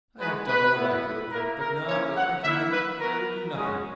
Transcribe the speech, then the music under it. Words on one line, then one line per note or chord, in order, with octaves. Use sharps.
"I have done all I could, but now, if I can, I will do nothing."
G#3 D#4 F#4 B4
B4
B3 E4
A#3 E4 A#4
A#4
A#3 C#4 E4 C#5
F#5
A#3 E4 E5
B4
B3 F#4 A#4
G#3 C#4 F#4 G#4